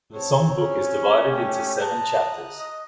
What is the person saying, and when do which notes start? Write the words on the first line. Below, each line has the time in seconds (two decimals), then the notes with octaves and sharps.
The songbook is divided into seven chapters.
0.14 C4 C#5 A5
0.55 C#4
1.30 A3 G4
1.81 A5 A#5 D#6 F#6
2.56 D#5